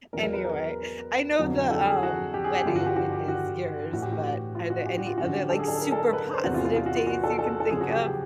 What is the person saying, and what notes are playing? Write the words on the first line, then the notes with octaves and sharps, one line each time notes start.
anyway, I know the, um, wedding is yours, but are there any other, like, super positive days you can think of?
E2 B2 F#3 A#4
A#4
B4
A#4
F2 D3 F#3
A4
G#4
F#4
G4
G#4
G4
G2 D3 F3 F4
F#4
G4
F#4
G4
F#4
A2 E3 F#4
G4
F#4
F4
F#4
G4
F#4
F4
F#2 D3 F3 F#4
G4
A4
G#4
A4
A#4
A4
B4
C5
E2 C3 E3 F#4
F4
F4
F4
F#4
F4
F#4
A4
A4
A4
F#2 C#3 F3 G#4
F#4
G4
G4